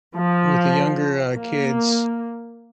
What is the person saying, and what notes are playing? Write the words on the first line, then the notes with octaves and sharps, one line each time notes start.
with the younger, uh kids,
F3
A#3